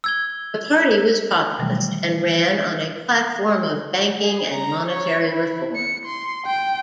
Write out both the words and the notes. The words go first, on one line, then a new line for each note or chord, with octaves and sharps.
The party was populist and ran on a platform of banking and monetary reform.
E6 G#6 G7
B2 D#3 E3 F#3 G3 A3
G#4
A#5
C#5
E4
C#7
C6
G5